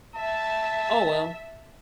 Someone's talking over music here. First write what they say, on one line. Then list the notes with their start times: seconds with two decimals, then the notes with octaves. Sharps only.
Oh, well,
0.16 E5 A5